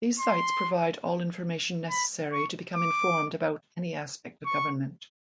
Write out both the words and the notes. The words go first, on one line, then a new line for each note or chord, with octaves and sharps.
These sites provide all information necessary to become informed about any aspect of government.
C6
B5
C#6
D6
C#6